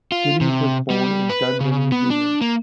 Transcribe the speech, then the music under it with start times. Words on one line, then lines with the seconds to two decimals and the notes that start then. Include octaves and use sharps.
Gillies was born in Dunedin, New Zealand.
0.12 F4
0.41 C3
0.90 G3
1.30 B4
1.61 C#3
1.92 B3
2.10 D4
2.41 A#3